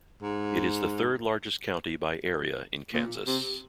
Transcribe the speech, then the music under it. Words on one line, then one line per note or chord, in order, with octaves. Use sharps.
It is the third-largest county by area in Kansas.
G#2
A#2
C3